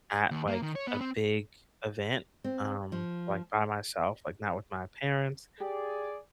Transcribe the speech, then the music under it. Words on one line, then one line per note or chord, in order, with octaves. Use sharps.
at, like, a big event, um, like, by myself, like, not with my parents,
D#2
A#3
D#3
C#5
B3
C4
C4
F3
G4 G#4 D5